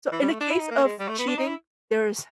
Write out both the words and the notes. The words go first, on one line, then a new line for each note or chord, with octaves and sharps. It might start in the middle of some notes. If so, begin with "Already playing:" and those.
So, in the case of cheating, there's
E3
G3
A3
D4
E4
D#4
A#3
G#3
G3
A3
B3
D4
D#4
E4